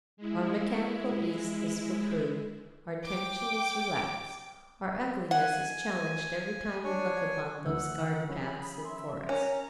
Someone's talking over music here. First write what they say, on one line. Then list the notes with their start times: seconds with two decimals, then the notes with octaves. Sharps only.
Our mechanical East is reproved, our tension is relaxed, our ugliness is challenged every time we look upon those garden paths and forests.
0.17 G#3 E4
3.07 G5 D6
5.31 F#5 G#5
6.84 D4 C#5 G#5
7.66 D2 D3 F#5 E6
8.29 F3 C#4 G#4 B5
8.85 E5 C6
9.29 C#4 A#4 A#5